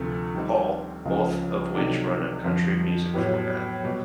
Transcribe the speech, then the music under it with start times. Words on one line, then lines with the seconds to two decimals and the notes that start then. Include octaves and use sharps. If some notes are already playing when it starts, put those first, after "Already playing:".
Paul, both of which run a country music format.
Already playing: D2 C3 F3 A3
0.34 D#3 G3 C4
1.05 C#2 C#3 F3
1.74 C3 D#3 F#3 A3 D4
2.44 F2 D3 F3
3.14 A2 F#3 B3 E4 G4
3.83 B2 G3